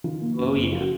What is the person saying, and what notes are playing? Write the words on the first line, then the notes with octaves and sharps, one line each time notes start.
Oh, yeah.
D#3 F4
A#3
F#2
F#1
F3 F4
F#4